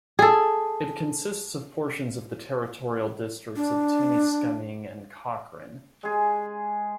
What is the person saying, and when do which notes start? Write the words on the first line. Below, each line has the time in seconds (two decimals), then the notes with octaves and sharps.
It consisted of portions of the territorial districts of Timiskaming and Cochrane.
0.19 G#4 A4
3.56 D4
6.03 G#3 G#4